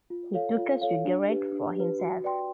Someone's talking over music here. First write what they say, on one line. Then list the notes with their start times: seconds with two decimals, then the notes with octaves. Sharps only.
He took a cigarette for himself.
0.10 F4
0.34 A4 C#5 F5
0.58 F4
0.81 A4 C#5 F5
1.05 D4
1.29 G4 B4
1.52 D4
1.76 G4 B4
2.00 F#4
2.24 B4 D5 G5 C6